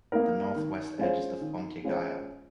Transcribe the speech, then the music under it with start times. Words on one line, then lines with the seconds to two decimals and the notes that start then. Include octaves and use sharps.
At the northwest edge is the Fonte Gaia.
0.12 A#3 D#4 A#4
0.56 D#3
0.99 G#3 C#4 F4 C5
1.41 D#3
1.84 G#3 C#4 F4 C5